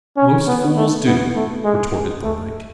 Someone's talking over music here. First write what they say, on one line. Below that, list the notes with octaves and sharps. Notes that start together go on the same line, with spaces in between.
"Most fools do," retorted Thorndyke.
C#4
B3
A3
B3
A3
G#3
G#3
A3